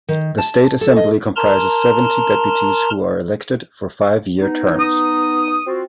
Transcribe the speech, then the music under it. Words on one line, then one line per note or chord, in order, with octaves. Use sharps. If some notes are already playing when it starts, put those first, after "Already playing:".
The State Assembly comprises seventy deputies who are elected for five-year terms.
D#3
A5
A4
D#5
A#4 A5 A#5 C6
B3 D#4
D#6
C4 F4 F#4